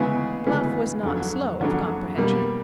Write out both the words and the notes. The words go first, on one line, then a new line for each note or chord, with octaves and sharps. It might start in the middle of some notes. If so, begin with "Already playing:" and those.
Bluff was not slow of comprehension.
Already playing: D2 C#3 E3 G#3 B3
D2 C#3 E3 G#3 B3
F2 D3 F#3
F2 D3 F#3
B2 G3 A#3